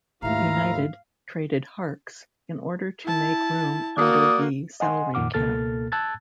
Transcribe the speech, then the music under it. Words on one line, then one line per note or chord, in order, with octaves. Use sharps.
United traded Harkes in order to make room under the salary cap.
D#2 G#2 A3 E4 F4 F5 A#5
E4 A5
A#3 F#4 D5 D#6
D#5 F#5 G#5 C6
F2 A#2 D#3 F#5 D6 F6
C#2 B2 A#3 A4 F6 A6
A5 E6 F#6 G#6 A6